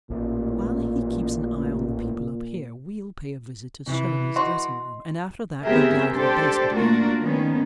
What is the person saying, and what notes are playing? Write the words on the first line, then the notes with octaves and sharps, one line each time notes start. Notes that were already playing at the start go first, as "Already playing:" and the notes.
While he keeps an eye on the people up here we'll pay a visit to Shirley's dressing room, and after that go down to the basement again.
A1 A#2
C3 E3
F#4 D#5 C6
B3 C4 G4 G#4 A#4 E5
D4 G4 A4 C5
A3 A#3 D4 F4 F#4 A#4
D#3 B3 C#4